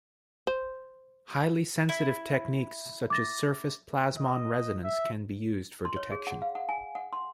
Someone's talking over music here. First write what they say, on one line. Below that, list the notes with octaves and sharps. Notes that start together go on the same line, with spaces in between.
Highly sensitive techniques such as surface plasmon resonance can be used for detection.
C5
E4
D6 A6 A#6
D#5
E5
C6
C#5
G#4
F#5
F5
F#5
G#5
F#5
C6